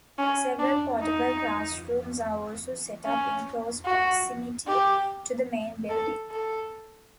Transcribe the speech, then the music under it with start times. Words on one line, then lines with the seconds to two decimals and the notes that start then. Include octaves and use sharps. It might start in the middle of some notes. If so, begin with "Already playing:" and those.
Several portable classrooms are also set up in close proximity to the main building.
0.18 C#4
0.59 D4
1.00 D#4
3.05 C#4
3.85 F#4
4.67 G4
5.89 A4
6.30 A4